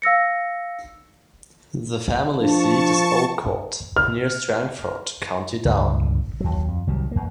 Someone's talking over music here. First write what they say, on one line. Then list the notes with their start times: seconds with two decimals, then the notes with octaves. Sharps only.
The family seat is Old Court, near Strangford, County Down.
0.02 F5 E6 A#6 C#7
2.41 F3 D4 A5 C#6
3.96 F6
5.65 C#2 G2 A#2 D3
6.40 D#2 F#3
6.68 F2
6.87 C2 D#3 F#3 G3
7.11 E2 A#3